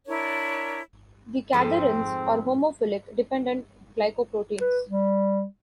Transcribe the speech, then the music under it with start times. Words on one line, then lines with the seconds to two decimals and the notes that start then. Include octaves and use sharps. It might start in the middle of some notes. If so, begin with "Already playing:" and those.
The cadherins are homophilic -dependent glycoproteins.
0.07 D4 E4 A#4 C#5
1.53 F2 G#2 G#3 C4
4.61 B4
4.90 G3